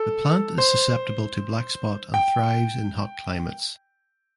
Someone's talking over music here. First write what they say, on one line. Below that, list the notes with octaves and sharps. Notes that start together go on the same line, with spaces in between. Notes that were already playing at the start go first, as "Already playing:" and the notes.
The plant is susceptible to blackspot and thrives in hot climates.
Already playing: A4
C5
G5